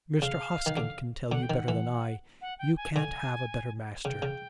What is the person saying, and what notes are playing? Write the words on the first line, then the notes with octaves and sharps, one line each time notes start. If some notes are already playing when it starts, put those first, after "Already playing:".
'Mr. Hoskin can tell you better than I. You can't have a better master.'
C#3 F5
D#3
D3
D3 F#5
G5
D#3 F#5
E3
F#5
G5
G#5
D3 G#5
C#3 G5
C#3